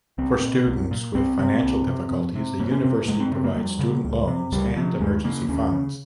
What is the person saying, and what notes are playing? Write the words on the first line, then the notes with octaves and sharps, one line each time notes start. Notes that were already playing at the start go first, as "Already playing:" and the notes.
For students with financial difficulties, the university provides student loans and emergency funds.
C2 C4
A#2
C2
A#2
C2 C4
C3 C4
C2
C3
F2
C3
F2 A#3
C#4
C3 C4
A#3
F2 G#3
C4
C#3 C4
A#3
F2 G3
C#3
C#2
C3
C#2 G3
C3 F3
D#2 G#3
C#3 A#3
D#2 C#4
C#3